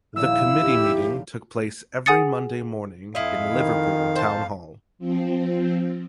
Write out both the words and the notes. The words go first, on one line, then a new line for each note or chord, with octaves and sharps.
The Committee meeting took place every Monday morning in Liverpool Town Hall.
F1 A#1 D#2 E4 E6
G4
G#4 F#5 G#5 D#6 A6 C#7
F2 E4 D#5 F5
D#3
C5 A5
F3 C4